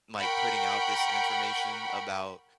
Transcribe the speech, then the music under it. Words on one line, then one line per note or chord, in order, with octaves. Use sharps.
like, putting out this information about
A#4 F#5 G5 B5 C#6